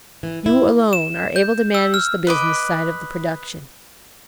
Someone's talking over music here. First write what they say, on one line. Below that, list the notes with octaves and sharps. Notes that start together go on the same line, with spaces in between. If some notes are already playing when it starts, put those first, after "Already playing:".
You alone are able to manage the business side of the production.
E3
E4
E7
G6
E6
F6
B4 D#5 D6